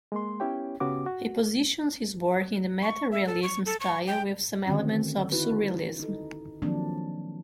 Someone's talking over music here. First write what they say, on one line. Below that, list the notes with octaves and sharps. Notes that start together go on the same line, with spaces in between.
He positions his work in the meta-realism style with some elements of surrealism.
G#3 A#3 C6
B3 C#4 E4 G4 C#5 G5
C#3 B3 C#4 F#4 G4 D6
F#4
C#6
E5
A4
C#6
A4
C#6
G5
D3 D#3 C4 C#4 F#4
D#4 E4 F#4 B4
D#4 A4
D#3 F3 F#3 A#3 C4 D4